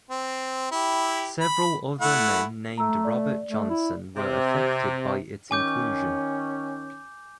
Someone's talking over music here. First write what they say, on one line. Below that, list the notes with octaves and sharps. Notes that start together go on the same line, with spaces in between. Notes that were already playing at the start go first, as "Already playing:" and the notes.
Several other men named Robert Johnson were affected by its inclusion.
C4
E4 G4
B5
A3 E4 F#5
A3 A#5 E6
D5
A3
E4
C3
D#3 C#4 G#5 D6 G6